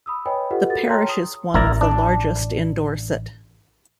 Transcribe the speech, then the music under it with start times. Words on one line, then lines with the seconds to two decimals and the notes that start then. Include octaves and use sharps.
The parish is one of the largest in Dorset.
0.06 B5 D#6 E6
0.26 B4 C#5 D#5 G5 G#5 B5
0.51 F4 G4 A4 B4 D#5 F#5
0.70 F#4 A4 A#4 A6
0.89 C#5 G5 A5 A#5 C6 F6
1.09 D#6
1.54 A1 E4 A#4 D5
1.81 D4